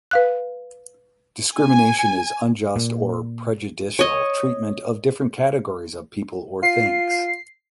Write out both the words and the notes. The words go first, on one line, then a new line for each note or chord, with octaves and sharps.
Discrimination is unjust or prejudicial treatment of different categories of people or things.
B4 F5 F#6
G#5
A#2
C#5 D#5
F4 C7